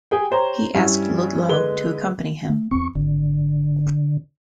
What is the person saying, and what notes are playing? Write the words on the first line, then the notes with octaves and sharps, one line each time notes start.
He asked Ludlow to accompany him.
G4 G#4 G5
G4 C5 C#5 A#5
G2 G3 C#4 E4
D3 G#3 B4 G7
A3
E2 C4 C#6
G#1 D3